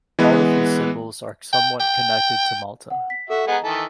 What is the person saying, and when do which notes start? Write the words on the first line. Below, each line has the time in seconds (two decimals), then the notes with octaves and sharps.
All of these symbols are somewhat connected to Malta.
0.19 E3 G#3 B3 B4
1.53 G5
1.80 G5
2.90 F#5
3.10 B6
3.30 F#4 A4 E5
3.47 G#3 B3 D#5 F#5 A#5
3.64 D#3 E3 A4